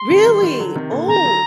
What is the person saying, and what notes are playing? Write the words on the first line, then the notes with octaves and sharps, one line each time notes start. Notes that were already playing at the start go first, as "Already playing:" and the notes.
Really? Oh.
Already playing: C6
C3 D#3
D#3 G3
D#3 G3
D3 F#3
C3 D#3
A#2 D3
C3 D#3 A#5
D3 F#3